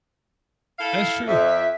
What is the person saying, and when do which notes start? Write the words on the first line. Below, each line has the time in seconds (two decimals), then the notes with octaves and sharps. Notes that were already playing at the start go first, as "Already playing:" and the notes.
That's true.
0.79 E4 A4 F5
1.27 F2 E5